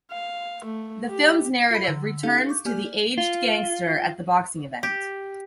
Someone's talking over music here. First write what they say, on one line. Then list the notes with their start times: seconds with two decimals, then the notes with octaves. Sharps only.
The film's narrative returns to the aged Gangster at the boxing event.
0.11 F5
0.64 A3
1.08 G4
1.71 F4 A4 B5
1.84 D3 E6
2.23 C#4 D#4 G4 A4 F5
2.49 C#6 D6 G6
2.65 A#3 G4 D5 G#5 F6 G6
2.85 D5
3.18 F4
4.83 G4